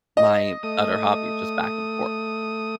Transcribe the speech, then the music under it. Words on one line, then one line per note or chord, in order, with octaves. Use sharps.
my other hobbies, just back and forth.
D#5
A3 D#6